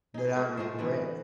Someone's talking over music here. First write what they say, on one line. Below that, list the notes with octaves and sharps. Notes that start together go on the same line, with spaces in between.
that I regret."
D#4 G#4
G#3 A3 F#4
G#3 A3 F4 C5
D3 E3 B3